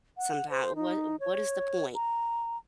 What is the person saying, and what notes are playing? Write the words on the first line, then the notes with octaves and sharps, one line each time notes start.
sometimes. What what is the point?
F#5
C5
D#4
C#5
A#5